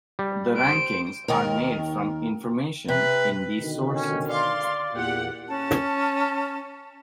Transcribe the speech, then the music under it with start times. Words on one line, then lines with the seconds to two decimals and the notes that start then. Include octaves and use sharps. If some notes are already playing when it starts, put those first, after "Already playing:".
The rankings are made from information in these sources.
0.19 G3
0.57 C5 D7
1.28 D#2 D#3 A#4
2.88 C3 B4
3.60 B2 D3 D#3
3.94 C#4
4.28 D5 F5 C6
4.94 E2 A#2 G4 F#5
5.48 C#4 A5